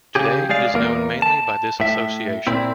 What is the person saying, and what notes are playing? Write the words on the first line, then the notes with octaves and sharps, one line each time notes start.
Today it is known mainly by this association.
C#3 G4 G#4
G#3 G#4 D5 F5
E2 A#3 A#4
A5
A2 E5
A#2 C4 E4